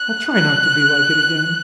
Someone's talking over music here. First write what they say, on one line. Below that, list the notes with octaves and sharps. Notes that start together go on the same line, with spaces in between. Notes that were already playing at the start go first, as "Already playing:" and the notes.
I'll try not to be like it again.
Already playing: F#6
F#6